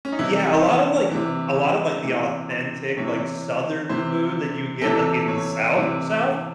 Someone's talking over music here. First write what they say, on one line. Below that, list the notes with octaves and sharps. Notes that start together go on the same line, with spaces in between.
yeah, a lot of, like a lot of, like, the authentic, like, southern food that you get, like, in the South, South.
C#4
D#4
C3 E3 E4
C3 E3
C3 E3 E4
C5
C3 E3 C#5
C3 E3 C5
C3 E3 A4
C#5
C3 E3